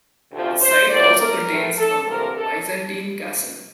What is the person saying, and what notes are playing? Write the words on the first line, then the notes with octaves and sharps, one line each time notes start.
The site also contains a Byzantine castle.
D2 C3 F3
C5
A2 F3 A3 D5
A#4
A2 E3 A3
A4
D2 C3 E3 A#3 A#4
A4